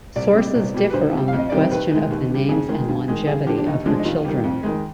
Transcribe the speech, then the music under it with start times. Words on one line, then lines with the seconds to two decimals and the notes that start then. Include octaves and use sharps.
Sources differ on the question of the names and longevity of her children.
0.16 C2 D5
0.35 C3 G3
0.55 C2
0.74 B2 G3
0.90 B4
0.93 D2 C5
1.13 C3 G3
1.28 F5
1.33 F2
1.39 D#5
1.50 C3 D#3 G3 D5
1.61 C5
1.71 D#2 B4
1.91 D#3 G#3
2.11 D#2
2.30 D3 G3
2.49 F2 G#4
2.69 D#3 G#3
2.88 G2
3.08 D#3 G#3
3.27 G2 G#4
3.47 D3 F3 G4
3.58 D4
3.66 D#2 D#4
3.86 D3 F3 G#3 D4
4.00 D#4
4.05 D#2 F4
4.25 D#3 G3
4.44 F2
4.63 D#3 G#3